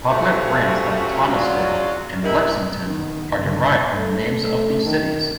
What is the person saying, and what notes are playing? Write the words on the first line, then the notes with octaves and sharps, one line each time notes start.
Popular brands like "Thomasville" and "Lexington" are derived from the names of these cities.
F3 G3 A3 C4 C#4 F#4
E2 F#3 C#4 F4 F#4 D5
C3 D#3 E4
D#3 B3
G1 C#2 B2 D3
A3
A3
D#3